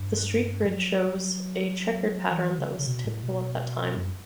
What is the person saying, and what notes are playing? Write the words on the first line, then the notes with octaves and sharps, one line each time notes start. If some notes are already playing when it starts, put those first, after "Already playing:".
The street grid shows a chequered pattern that was typical of that time.
Already playing: G2
F#3
E3
C#3
C#3
B2
A2
B2
F#2